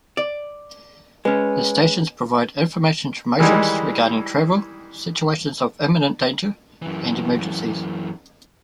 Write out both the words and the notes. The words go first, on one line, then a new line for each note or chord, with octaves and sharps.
The stations provide information to motorists regarding travel, situations of imminent danger and emergencies.
D5
G#3 C#4 B4 G#5
D#3 E3 G3 G#3
F#2 E3